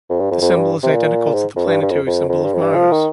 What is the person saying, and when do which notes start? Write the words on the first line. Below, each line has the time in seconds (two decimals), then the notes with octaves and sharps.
The symbol is identical to the planetary symbol of Mars.
0.10 F2
0.20 G2
0.31 F2
0.42 F2
0.57 G2
0.83 C3
0.94 A#2
1.34 G#2
1.56 F2
1.66 G2
1.82 G2
1.91 F2
2.07 F2
2.29 F2
2.44 G2
2.53 F2
2.61 G2
2.75 F3
2.92 D#3